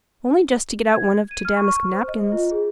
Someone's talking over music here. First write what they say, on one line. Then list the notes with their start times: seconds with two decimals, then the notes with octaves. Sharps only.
'Only just to get out one of t' damask napkins.'
0.93 G#6
1.31 D#7
1.45 F6
1.56 C#6
1.93 C5
2.08 D#5
2.32 F4
2.51 G#4